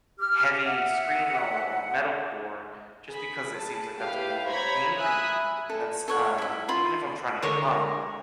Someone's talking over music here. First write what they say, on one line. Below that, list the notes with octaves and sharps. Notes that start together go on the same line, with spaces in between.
heavy screamo, or metal core just because it seems like that's more of an angry mood and that's, uh, even if I'm trying to get pumped,
G4 F6
E5 F#5
G#4 B5
A5
E4 G4 B4 F5
C5 C#5 A#5 B5 G#6 A#6
E5 G#5 B5 D#6 F#6
A4
A4 C#5 F#5
E4 E5
F4 B5 C6
D3 G#3 A#4 C#5